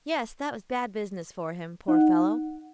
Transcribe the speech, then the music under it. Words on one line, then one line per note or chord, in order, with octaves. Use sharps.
Yes, that was bad business for him, poor fellow!
D#4 F#5